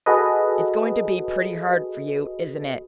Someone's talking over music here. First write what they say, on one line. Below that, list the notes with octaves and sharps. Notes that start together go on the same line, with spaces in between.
"It's going to be pretty hard for you, isn't it?"
F#4 G#4 A4 B4 D#5